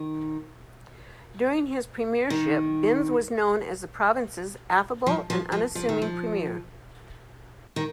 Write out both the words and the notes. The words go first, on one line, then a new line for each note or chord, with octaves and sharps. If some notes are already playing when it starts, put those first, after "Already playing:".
During his premiership, Binns was known as the province's affable and unassuming premier.
Already playing: D#3
D#3
F3
F3
F3
F3
D#3
F3
D#3